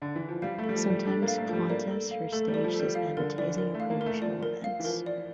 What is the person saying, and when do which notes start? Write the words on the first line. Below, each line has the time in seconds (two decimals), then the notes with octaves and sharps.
Sometimes, contests are staged as advertising or promotional events.
0.02 D3
0.15 E3
0.29 F3
0.42 G3 F5
0.58 A3
0.64 A4
0.69 G3
0.74 F3
0.85 D5
0.90 G3
1.05 D4 A4
1.22 A#3
1.28 F5
1.38 A3
1.48 F3 A4
1.53 G3
1.69 A#3 D5
1.91 A4
2.11 F5
2.32 A3 A4
2.48 G3
2.54 D5
2.64 F3
2.74 A4
2.79 G3
2.95 F3 F5
3.17 D3 A#4
3.38 E3 D5
3.58 A#4
3.74 A3
3.80 F5
3.90 A#3
4.01 A#4
4.06 A3
4.21 F3 D5
4.43 A#4
4.64 F5
4.80 E3
4.85 F3 A#4
5.06 D5